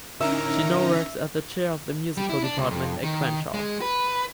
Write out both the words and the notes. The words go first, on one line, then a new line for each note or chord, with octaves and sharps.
She now works as the Chair of the Musical Department at Crenshaw.
D3 C#4 D#4 E4 A#4 E5 A#5
G3
E4
D4
C#2
F2
D#3
G#3
B4